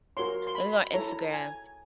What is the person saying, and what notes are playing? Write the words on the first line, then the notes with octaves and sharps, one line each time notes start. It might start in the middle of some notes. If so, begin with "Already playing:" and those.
Lemme go on Instagram."
F#4 A#4 C#5 C6
C6
B5
E4 A4 C#5 A#5
G#5